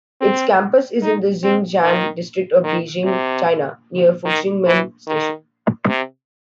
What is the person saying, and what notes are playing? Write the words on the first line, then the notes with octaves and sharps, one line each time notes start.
Its campus is in the Xicheng District of Beijing, China, near Fuxingmen Station.
C4
D#4
C4
D#3
D#3
C3
D#3
E3
D#3
C3